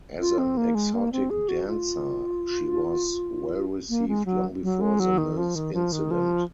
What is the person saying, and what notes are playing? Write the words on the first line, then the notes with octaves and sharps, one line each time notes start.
As an exotic dancer she was well received long before the Mills incident.
F4
C4
A#3
G#3
A#3
C4
G#4
F#4
F4
A#3
G#3
F#3
F#3
G#3
F#3
D#3
F3
D#3
F3
D#3
F3